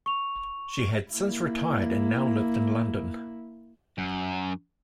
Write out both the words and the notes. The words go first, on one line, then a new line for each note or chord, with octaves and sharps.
She had since retired and now lived in London.
C#6 F7
A#3 E4
F#2